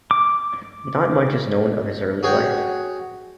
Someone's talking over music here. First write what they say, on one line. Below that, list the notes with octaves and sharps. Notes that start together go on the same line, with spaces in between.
Not much is known of his early life.
D6
F#4 G#4 C#5 F#5 G5